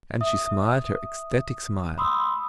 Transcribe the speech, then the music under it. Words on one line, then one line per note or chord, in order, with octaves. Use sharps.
And she smiled her ecstatic smile.
E5 D#6
B5 C6 D#6 E6